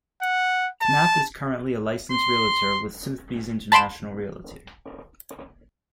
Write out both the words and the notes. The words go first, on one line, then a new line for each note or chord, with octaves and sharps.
Knapp is currently a licensed realtor with Sotheby's International Realty.
F#5
A5
C6
A5 B5 C6 D7 E7